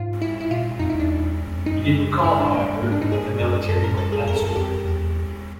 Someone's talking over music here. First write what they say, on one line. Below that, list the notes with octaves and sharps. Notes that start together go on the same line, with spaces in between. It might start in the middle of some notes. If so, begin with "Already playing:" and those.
He did recall, however, that the military went nuts over it.
Already playing: G#2 F4
E4
E4
A#2 F4
F2 D#4
E2 E4
D4
E2
F2
F#2 D#4
G2 E4
D4
A#3
G#2 A#3
D4
G#2 D#4
G2 G#4
F#2 A#4
F#2 A4
A#4
A4
G#4
F2 A#4
A4
F#2
A4
F2 G4
E2